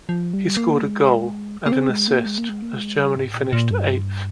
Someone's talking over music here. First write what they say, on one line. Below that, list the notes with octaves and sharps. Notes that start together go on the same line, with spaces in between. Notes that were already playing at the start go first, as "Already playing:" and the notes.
He scored a goal and an assist as Germany finished eighth.
F3
G3
A#3
G#3
A#3
C4
G#3
A#3
G#3
A#3
G#3
A#3
G#3
G3
G#2
A#2
A#2
G2